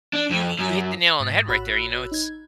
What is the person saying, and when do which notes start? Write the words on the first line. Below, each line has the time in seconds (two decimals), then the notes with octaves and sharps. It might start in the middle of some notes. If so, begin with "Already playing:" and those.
you you you hit the nail on the head right there, you know, it's
0.13 D4
0.30 F2
0.59 F#2
1.20 G#2 D#6 A6
1.48 A1 F#4 C#5 B5 E6 F#6
2.12 D#4 G#6